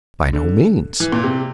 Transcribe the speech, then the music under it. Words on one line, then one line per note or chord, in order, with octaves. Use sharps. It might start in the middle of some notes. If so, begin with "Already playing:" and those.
"By no means."
D3
E3
A#2
C3